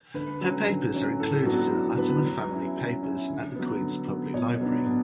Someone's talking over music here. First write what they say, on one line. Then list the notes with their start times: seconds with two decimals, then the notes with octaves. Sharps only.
Her papers are included in the Latimer Family Papers at the Queens Public Library.
0.14 D3 B4
0.41 F#3 C#4
0.67 D3
0.94 F#3 C#4
1.20 A2 A4
1.45 F#3 B3 D4 F#4
1.72 A2
1.98 F#3 B3 D4 B4
2.25 F#3
2.51 C#4 E4
2.77 F#3
3.03 C#4 E4
3.30 D3
3.56 F#3 B3
3.81 D3
4.07 F#3 B3
4.34 B2 C#5
4.61 F#3 B3 D4
4.86 B2